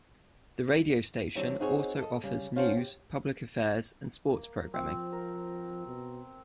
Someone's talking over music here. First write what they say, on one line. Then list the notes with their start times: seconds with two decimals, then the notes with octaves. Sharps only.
The radio station also offers news, public affairs, and sports programming.
1.35 E3 F#3 G3 C4 D4 E4
1.60 C4 D#4 F#4 G#4 A#4 C#5
1.98 A4 D#5
2.23 C#3 G3
2.56 C#4 D4 F4 F#4 C5
2.77 G4
4.29 A#3
4.74 F3 C4
5.12 A#4
5.87 B2